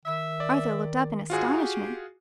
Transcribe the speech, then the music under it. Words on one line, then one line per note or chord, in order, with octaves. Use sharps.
Arthur looked up in astonishment.
D#3 E5
D5
G#2 F4 F#4 G#4
G4